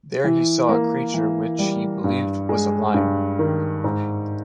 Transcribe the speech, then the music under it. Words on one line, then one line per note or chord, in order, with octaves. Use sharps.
There he saw a creature which he believed was a lion.
E3
A#3
E3
G3
G2
G#3
G2
D#3
G#2